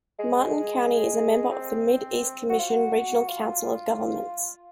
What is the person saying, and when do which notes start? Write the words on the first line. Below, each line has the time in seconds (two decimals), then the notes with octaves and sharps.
Martin County is a member of the Mid-East Commission regional council of governments.
0.19 G#3
1.51 C4
2.49 F#4
2.59 F4
2.70 F#4
3.28 F4